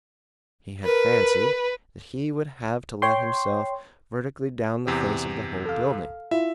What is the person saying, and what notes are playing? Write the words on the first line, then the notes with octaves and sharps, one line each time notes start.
He had fancied that he would have to let himself vertically down the face of the whole building.
A#4 B4
C#5 G5 C6
E2 C3 G4
A4 F5
E4 F4 E5